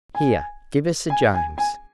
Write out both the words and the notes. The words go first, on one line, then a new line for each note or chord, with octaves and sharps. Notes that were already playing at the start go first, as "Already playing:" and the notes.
"Here, give us a james."
G#5
G#5
G#5
G#5